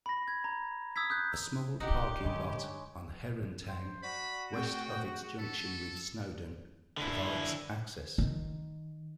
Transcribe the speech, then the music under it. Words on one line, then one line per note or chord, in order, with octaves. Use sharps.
A small parking lot on Herrontown, west of its junction with Snowden, provides access.
B5 A#6
G#6
A#5
D#6 E6 G#6 B6
D#6 F#6 G6
B3 D#4 E4 G4 F#5
G2 D3 G#3 C#5 B5
C5
F#4 D5 B5
A3 C4 G#4 G5
A4 B6 C#7
D3 E4
D#3